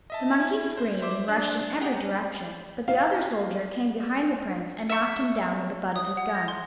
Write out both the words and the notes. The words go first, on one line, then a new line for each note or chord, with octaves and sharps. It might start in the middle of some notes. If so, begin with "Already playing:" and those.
The monkeys screamed and rushed in every direction, but the other soldier came behind the Prince and knocked him down with the butt of his gun.
D#5 E5 A5
E4
C5
C5 E5 D6
D4
D#4 G4 G#4 F#5 A#5
F5
E5 C#6
D#6
F#5
A#6
C6